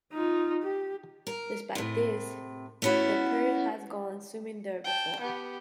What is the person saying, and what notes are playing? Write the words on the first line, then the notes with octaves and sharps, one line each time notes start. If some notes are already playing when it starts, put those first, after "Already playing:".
Despite this, the pair had gone swimming there before.
D#4 F4
G4
A#4
A2 C3
A3 B3 C#4 E4 F#4
G5 A5
B3 G4